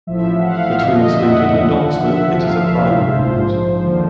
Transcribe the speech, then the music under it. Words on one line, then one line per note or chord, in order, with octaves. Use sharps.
Between Swindon and Oxford it is a primary route.
A1 A2 F3 E5
F#5
F5
F5
E5
F2 D3 F3 D#5
D#5
E5
F#5
D#2 D3 F3
E5
D2 C3 F3 F5
E5
A#1 G#2 F3 C5
D#2 D3 F3